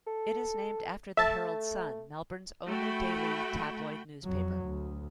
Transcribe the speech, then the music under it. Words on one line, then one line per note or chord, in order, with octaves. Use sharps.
It is named after the "Herald Sun", Melbourne's only daily tabloid newspaper.
A4
A3 E5 A5
A3 F#4 G5 B5
F2 F#3
D2